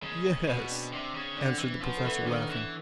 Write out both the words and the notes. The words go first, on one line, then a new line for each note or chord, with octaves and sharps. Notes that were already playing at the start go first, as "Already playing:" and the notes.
"Yes," answered the Professor laughing.
C#3 G#3 A#3
A#3 C4
B2 B3 C#4
C4 D4
C3 C4 D4
C#3
D3 C4 D4
E3
F3 B3 C#4
A3 B3
E3
A3 B3
D4
D#3 B3 C#4
E3